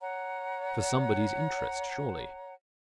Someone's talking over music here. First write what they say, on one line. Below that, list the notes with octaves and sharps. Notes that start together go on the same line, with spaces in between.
For somebody's interest, surely.
C#5 F#5 A#5